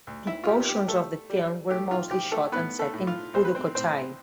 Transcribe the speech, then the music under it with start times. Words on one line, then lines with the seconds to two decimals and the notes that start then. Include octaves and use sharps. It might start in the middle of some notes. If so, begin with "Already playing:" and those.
The portions of the film were mostly shot and set in Pudukkottai.
0.07 D2
0.27 E4 E5
0.44 F4
0.48 G3 G4
0.68 G4
0.88 G3 A3 A4
1.30 G3
1.70 A3 G4
1.91 F4
2.11 F3 G4
2.32 A3 A4
2.52 A2 B3 B4
2.79 A3 A4
2.93 A2
3.07 F4
3.34 B1 C5
3.45 B4
3.55 C4 C5
3.75 A2 C4 C5